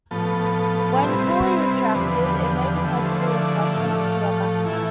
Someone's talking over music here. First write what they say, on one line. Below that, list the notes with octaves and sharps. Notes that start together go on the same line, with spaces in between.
When fully retracted it may be possible to attach them to a backpack.
A2 F3 B3 A4
C3 G3 C4 E4 B4
B4
E2 D3 F3 B3 D4 C5
B4
B4
G4
G4
D3 F3 A3 E4 G4
B4
C5
C5
D5
A2 F3 A3 E5
F5
E5
D5
F5
E3 A3 E4